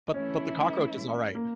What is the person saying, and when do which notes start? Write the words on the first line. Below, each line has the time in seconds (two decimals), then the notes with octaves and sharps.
But but the cockroach is alright,
0.14 E3 A3 C#4 E4
1.35 A#3